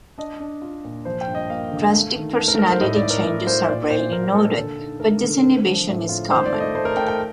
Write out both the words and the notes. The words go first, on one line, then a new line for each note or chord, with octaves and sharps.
Drastic personality changes are rarely noted, but disinhibition is common.
D4 D#5
D4
F4
A#2
F3 C5
G5
G2
D#5
A#3 F5
D3
A3
D#3
A3
A#4
D#4 A#4
C5
A2 D#5
D5
A2
A#4
A2 A#4
F4 C5
A#2 D5
A#2 C5
A#2 A#4
A#2 A4
D3
D#4
A3 A#4
D3
C4
F3
A2
F4
D#3 C5
D5
A3
D#5
A3 C5
A#4
A3 G5
G5